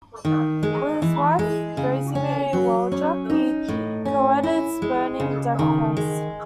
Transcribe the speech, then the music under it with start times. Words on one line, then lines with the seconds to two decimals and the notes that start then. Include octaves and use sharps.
With his wife Rosmarie Waldrop, he co-edits Burning Deck Press.
0.25 D#3
0.63 G#3
1.02 E3
1.39 G#3
1.77 C#3
2.15 C#4
2.53 F#3
2.92 C#4
3.30 D#4
3.68 A2
4.05 C#4
4.43 E4
4.82 G#3
5.20 C#3
5.59 D#3
5.97 G#3